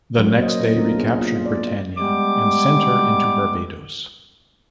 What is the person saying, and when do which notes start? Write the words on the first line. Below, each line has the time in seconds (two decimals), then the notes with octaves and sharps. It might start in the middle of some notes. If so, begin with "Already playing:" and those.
The next day recaptured "Britannia" and sent her into Barbados.
0.19 F#3 C#4
0.40 A#3 C5 D#5
0.75 B3 C#4 D4 F4 A#4
0.95 B3 G#4
1.18 A#3 F4
1.46 D5
1.98 G3 G#3 B3 G4 D6